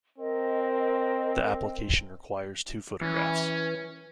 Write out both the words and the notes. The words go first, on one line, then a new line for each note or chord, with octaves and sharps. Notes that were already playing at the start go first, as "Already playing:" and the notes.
The application requires two photographs.
C4 A#4 D#5
E3 C#4